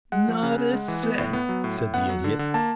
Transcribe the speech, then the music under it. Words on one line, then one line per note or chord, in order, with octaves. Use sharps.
"Not a cent," said the Idiot.
G#3 F#5
F3
C#3
C#3
G#3
E3
B3
A2
B3
F#3
A2
A2
B3 F#5
F#3
D3
D3
A#3 A5